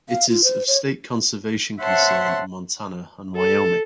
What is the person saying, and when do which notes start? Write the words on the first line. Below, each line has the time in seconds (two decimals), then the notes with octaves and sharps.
It is of state conservation concern in Montana and Wyoming.
0.09 F5
0.29 F4
0.44 C5
0.68 C#5
1.80 C5 C#5 E5 F#5 A5 C6
3.37 A4